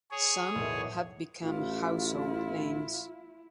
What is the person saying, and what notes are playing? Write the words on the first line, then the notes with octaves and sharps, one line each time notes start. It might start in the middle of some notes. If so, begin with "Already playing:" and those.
Some have become household names.
G#4 C#5
B1 E2 A2
A1 E4 F4